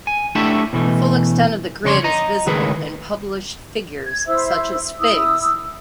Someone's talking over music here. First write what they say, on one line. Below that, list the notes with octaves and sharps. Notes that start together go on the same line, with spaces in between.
The full extent of the grid is visible in published figures such as Figs.
G#5
A3 D4 E4 F#4 G4 E5
B2 E3 A3
F2 C#3 C#5 D5 C6
D#5 A#5
C#2 A2 D#3 G#4 B4
G#6
E4 C5 E5 E6
E4 D#6 E6